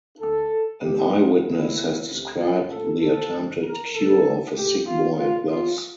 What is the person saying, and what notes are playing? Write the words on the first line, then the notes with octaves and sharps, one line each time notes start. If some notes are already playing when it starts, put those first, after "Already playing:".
An eyewitness has described the attempted cure of a sick boy thus.
D2 D3 A3 A4
A#1 A2 G3 G4
F4
G1 G2 E3 E4
D2 C3 E3
F4
A#1 A#2 A3 A4
A4
G2 D3 A3
A#4
G1 F2 D3 A4
A#1 A#2 A3 G4
F4
A#1 A#2 A3 F4
F4